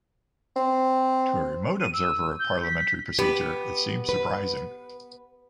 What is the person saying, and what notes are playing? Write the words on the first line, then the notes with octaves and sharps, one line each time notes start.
To a remote observer of parliamentary procedure it seems surprising.
C4
D#7
E6
G6
B6
B3 G4
B4